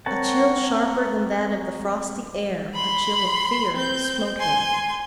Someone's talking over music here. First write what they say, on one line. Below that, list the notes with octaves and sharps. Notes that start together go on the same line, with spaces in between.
A chill sharper than that of the frosty air--a chill of fear--smote him.
C4 A#4 C#5 F#5 A5
B5 C6
C4 G6
G#5 C6